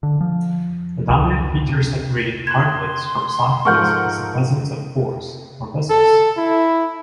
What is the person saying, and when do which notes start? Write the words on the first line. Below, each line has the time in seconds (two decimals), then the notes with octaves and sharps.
The dominant feature separating "hardwoods" from softwoods is the presence of pores, or vessels.
0.03 D3
0.21 F3
1.10 C#2
1.69 C3
2.47 C6 F#6 G#6 E7
3.65 G#2 F3 A4 A#4 F#5 C#6 F6 G6
5.90 A4
6.37 E4